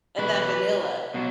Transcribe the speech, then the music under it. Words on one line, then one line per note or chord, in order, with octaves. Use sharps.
and that vanilla.
E2 B2 F#3 B4
B2 F#3